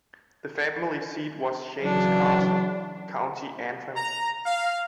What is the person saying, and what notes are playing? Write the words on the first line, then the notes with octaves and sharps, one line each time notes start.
The family seat was Shane's Castle, County Antrim.
C#3 E3 F#3 D4
A#5
F5